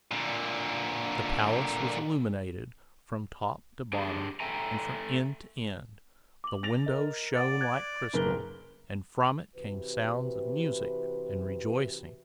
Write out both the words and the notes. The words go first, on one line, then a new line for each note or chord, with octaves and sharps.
The palace was illuminated from top to bottom and from end to end; the windows shone like crystal, and from it came sounds of music and rejoicing.
A#2 D3
D4 G4 G#4
A4 E5 G5 G#5 A#5
D6 F#7
A6 A#6 F7
A#4 D#5
D5 F#5 A6
F#6 G#6 A6
F#1 D#4 A#4 B4 G7
C3 E3 F#4 B4